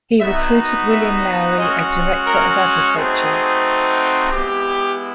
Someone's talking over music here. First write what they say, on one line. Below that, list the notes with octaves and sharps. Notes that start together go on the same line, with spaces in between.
He recruited William Lowrie as director of agriculture.
B3 D#4 F#4 E5
E5
G#3 C#4 F#4 D#5
A#4
A3 C4 D#4 F#4 G#4
G#3 B3 E4 G4